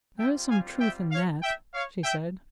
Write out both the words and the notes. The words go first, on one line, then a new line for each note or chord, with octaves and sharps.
"There is some truth in that," she said.
G3 C4 F4 E5 G5
F5 G#5
E5 G5
C#5 F5
E5 G5
C#5 F5
E5 G5